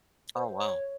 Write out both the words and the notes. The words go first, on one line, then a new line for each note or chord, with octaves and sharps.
Oh, wow.
C5
C#5